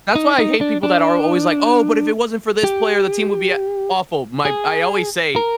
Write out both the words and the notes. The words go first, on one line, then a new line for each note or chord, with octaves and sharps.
That's why I hate people that are always like, "Oh, but if it wasn't for this player, the team would be a awful." My I always say
D#4
D#4
D4
D4
G4
G#4
A#4